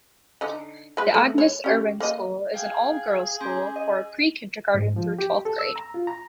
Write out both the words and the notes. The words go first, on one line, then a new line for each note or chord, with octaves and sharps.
The Agnes Irwin School is an all-girls school for prekindergarten through twelfth grade.
D3 D#4
G#3 B4
A3
C#5
C#4 G4
A#3 D#5
G#4 F5 G5
C#4 G#5 C6
D#5
G#2
F3
G4
A4
E6
A#5
F4
A#5